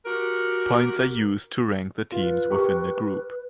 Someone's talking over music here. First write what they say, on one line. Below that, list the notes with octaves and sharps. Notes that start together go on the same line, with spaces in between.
Points are used to rank the teams within a group.
F#4 G4 A#4
F4 B4
G4 A#4 C#6